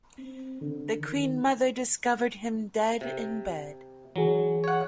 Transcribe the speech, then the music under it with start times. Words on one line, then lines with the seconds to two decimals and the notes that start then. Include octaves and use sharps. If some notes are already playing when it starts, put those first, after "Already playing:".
The Queen Mother discovered him dead in bed.
0.18 C4
0.61 D3
0.99 D#3
3.01 C3
4.16 E3 F#3 G#4
4.64 C#5 F#5